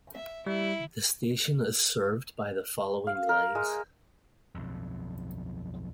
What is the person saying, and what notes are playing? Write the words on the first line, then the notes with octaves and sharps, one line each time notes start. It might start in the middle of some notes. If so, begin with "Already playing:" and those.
The station is served by the following lines.
E5
G3 E4
F5
A#4
G#3
B1 F2